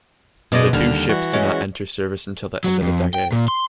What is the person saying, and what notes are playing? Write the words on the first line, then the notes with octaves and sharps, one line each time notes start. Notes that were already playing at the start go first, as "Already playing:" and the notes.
The two ships did not enter service until the end of the decade.
F#2 B2 G#3 D5 D#5
D#2 D3 G3 F6
E3 F#4
G#3 C#4
F#3
F2
G5
A#2
C6